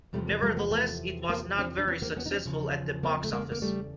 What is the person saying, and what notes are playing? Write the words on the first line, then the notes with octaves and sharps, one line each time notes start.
Nevertheless, it was not very successful at the box office.
E2 C3 F3 G3 A3
G#3 A#3
G3 A3
A3 B3
A3 B3
A#3 C4
C4 D4
D4
B3 C#4
A#3 C4
D4
B3 C#4
D#4
C4 D4
E2 C#3 F3
A#3 C4
A3
G#3 A#3
A#3
G3 A3